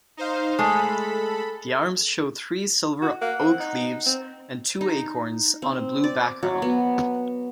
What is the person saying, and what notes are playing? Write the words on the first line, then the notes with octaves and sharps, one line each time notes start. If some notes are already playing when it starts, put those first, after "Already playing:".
The arms show three silver oak leaves and two acorns on a blue background.
D#4 C5 F5
G#3 A3 A4 B5
F#4
A#3 F#5
C4
D#4
C4
D#4
C4
D5
F#3
B3